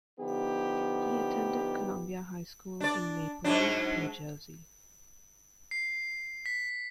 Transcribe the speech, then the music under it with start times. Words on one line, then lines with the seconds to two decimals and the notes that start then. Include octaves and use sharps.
He attended Columbia High School in Maplewood, New Jersey.
0.19 D3 F3 B3 D#4 G4
2.80 D4 D5
3.44 G#2 F#3 D4
5.71 C7
6.46 B6